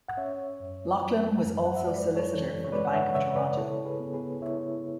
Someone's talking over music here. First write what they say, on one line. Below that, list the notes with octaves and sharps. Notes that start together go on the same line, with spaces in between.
Laughlin was also solicitor for the Bank of Toronto.
F#5
C#4 C#5 E5
F#2
F#3
F#2
F#5
E5
G#3 B4 D5
A4 C#5
E3
C#5
G#3 B4 D5
F#5
C#5 E5
C#3 C#5 E5
B4 D5
E4 A4 C#5
G#4 B4
B3
G#4 B4
E4 C#5 E5